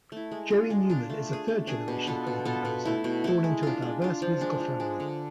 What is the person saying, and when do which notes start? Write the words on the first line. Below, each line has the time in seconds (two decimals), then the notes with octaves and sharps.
Joey Newman is a third generation film composer born into a diverse, musical family.
0.12 A3 E4
0.32 G#3
0.51 D4 F4
0.70 G#3
0.90 D4 F4
1.10 A3
1.29 D4 G#4
1.48 A3
1.67 D4 G#4
1.88 B2
2.07 B3 F4 A4
2.27 B2
2.45 B3 F4 A4
2.65 B2
2.85 A3 E4
3.04 B2
3.24 A3 E4
3.44 G#3
3.63 D4 F4
3.82 G#3
4.02 D4 F4
4.22 F3
4.41 G#3 D4
4.61 F3
4.80 G#3 D4
5.00 D3